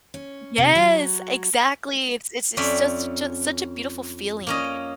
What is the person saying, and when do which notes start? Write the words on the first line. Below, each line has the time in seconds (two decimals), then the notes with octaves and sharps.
Yes! Exactly, it's it's it's just such a such a beautiful feeling.
0.14 C#4
0.58 C3
0.75 F#3
2.57 F2 C#4 D5 E5 C6
4.47 A#3 C#4 D#5